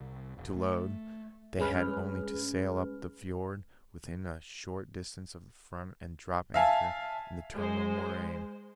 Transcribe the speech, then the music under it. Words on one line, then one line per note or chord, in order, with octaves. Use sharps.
To load, they had only to sail up the fiord within a short distance of the front and drop anchor in the terminal moraine.
C2
E1
A3
G2 G#3 C#4 G#4 B4 F6
E5 F5 G#5 A5
G#3 C5